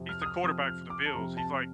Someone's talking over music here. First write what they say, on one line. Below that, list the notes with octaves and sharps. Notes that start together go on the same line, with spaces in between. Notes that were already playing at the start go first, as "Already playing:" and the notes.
He's the quarterback for the Bills. He's, like
Already playing: F2 C3 F3 C4
F6
D#6
F6
F2 C3 F3 C4 D#6
F6
D6
A5
F2 C3 F3 C4 A#5
A5